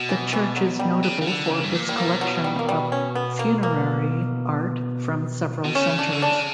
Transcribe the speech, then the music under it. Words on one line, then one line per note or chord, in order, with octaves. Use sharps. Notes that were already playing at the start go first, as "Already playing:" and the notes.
The church is notable for its collection of funerary art from several centuries.
Already playing: B2
E3
E3
F#3
G3
C#3
C#3
D3
C#3
G2
A#2
G3
B2 A#3
F#3
G3
A#3
G3
C#4
B3
A#3
A#3
B2
C#3 C#4
D4
D3
C#3 D4